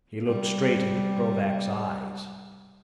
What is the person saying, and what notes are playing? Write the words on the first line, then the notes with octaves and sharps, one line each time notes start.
He looked straight into Krovac's eyes.
C3 G3